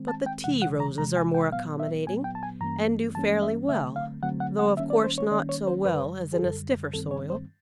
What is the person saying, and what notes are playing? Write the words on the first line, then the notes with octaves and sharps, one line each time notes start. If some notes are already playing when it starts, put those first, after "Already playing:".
But the Tea Roses are more accommodating, and do fairly well, though, of course, not so well as in a stiffer soil.
Already playing: D#3 G#3 C4
A5
G5
E2 C3 E3 G#3 F#5
F#5
A#5
E2 C3 E3 G#3 A#5
G#5
G5
A#2 F#3 B3 F5
E5
A#2 F#3 B3 G#5
G5
A5
G#5
G2 E3 G3 A#3 C#4 A#5
G2 E3 G3 A#3 C#4 A5
E5
D3 F#3 A3 C4 E5
F5
D3 F#3 A3 C4 F#5
F#5
F#5
D#3 G3 A#3 C#4 E5
D5
C5
C#5
D#3 G3 A#3 C#4 D5
C#5
C5
F#2 D3 G3 B4
G#4
F#2 D3 G3 A4
G2 D#3 G3 C4 A4
C#5
C5